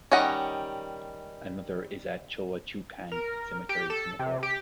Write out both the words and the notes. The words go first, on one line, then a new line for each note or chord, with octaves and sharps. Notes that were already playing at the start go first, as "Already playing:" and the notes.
Another is at Choa Chu Kang Cemetery, Singapore.
D#3 G3 C#4 D#5 F#5
A#4
G4
A4
C3
G4